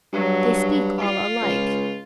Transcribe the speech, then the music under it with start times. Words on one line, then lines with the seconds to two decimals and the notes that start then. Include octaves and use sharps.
They speak all alike.
0.13 G2 F#3
1.00 F4
1.42 C#2